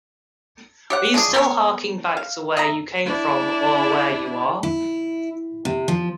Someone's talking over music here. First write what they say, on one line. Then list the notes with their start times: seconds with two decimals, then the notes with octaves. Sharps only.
Are you still harking back to where you came from or where you are?
0.90 G4 C#5 F#5
1.14 G#3 D4 F4 G#4
1.34 B3 A#4 C#5
2.17 F5
2.57 D#5 E5 A#5
3.05 D4 E4
4.63 E4
5.65 C3
5.88 F3